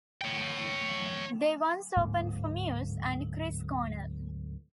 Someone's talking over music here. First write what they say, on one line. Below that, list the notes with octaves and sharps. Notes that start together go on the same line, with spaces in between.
They once opened for Muse, and Chris Cornell.
C#5 G5
D1 G#2 D3 A#3